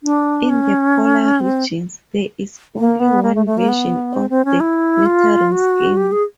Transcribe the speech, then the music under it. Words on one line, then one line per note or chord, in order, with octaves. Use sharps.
In the polar regions, there is only one version of the lettering scheme.
D4
C#4
C4
A#3
B3
A#3
A3
A3
A#3
B3
C4
C4
C#4
E4
F4
F#4
G4
G#4